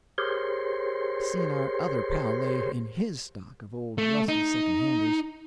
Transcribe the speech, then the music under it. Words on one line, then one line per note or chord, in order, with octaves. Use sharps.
I seen our other pal lay in HIS stock of old rusty second-handers.
G4 G#4 A#4 C5 C#5 C6
A3
D#4